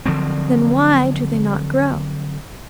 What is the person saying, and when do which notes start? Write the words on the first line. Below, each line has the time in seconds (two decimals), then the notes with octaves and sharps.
Then why do they not grow?
0.06 D3 F3 F#3 C4